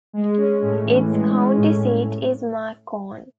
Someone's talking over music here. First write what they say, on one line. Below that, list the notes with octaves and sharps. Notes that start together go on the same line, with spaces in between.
Its county seat is Macon.
G#3
C#4
A2
E3
G#3
C#4
A2